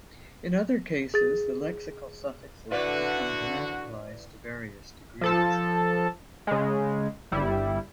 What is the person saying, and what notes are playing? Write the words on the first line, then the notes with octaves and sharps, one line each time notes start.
In other cases, the lexical suffixes have become grammaticalized to various degrees.
G#4 A6
D3 E4 F#4 B4 D5
F3 A4 A5
C#3 G#3
G1 G3 E4